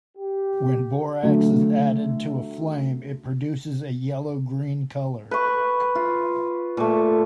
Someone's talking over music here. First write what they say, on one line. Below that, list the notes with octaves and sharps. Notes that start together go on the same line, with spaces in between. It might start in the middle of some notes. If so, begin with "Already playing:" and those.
When borax is added to a flame, it produces a yellow green color.
G4
D3 F#3 A3
B4 C#6
F4
A#2 A3